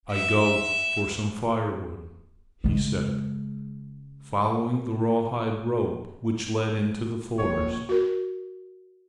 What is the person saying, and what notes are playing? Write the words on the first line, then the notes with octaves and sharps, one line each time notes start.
"I go for some fire-wood!" he said, following the rawhide rope which led into the forest.
E5
C#3 G#3
F1 A#2 C#5
F#4 A#4